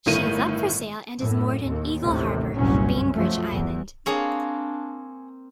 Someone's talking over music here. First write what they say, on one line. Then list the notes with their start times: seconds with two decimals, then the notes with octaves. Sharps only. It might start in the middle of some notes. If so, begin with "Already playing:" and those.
She is up for sale and is moored in Eagle Harbor, Bainbridge Island.
0.06 G1 A2 D#3 A3 D#7
1.18 F#2 A2
1.64 D#2
2.01 A1 D#2 A2 C3
2.54 F#1 C2 G2 A#2 F#3 C#4
3.13 F3 F#3 A3
3.51 E2
4.06 A#3 C4 D4 G#4 C#5 D#5